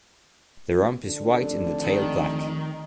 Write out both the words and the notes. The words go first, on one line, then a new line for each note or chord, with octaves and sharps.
The rump is white and the tail black.
D3
F1
D#3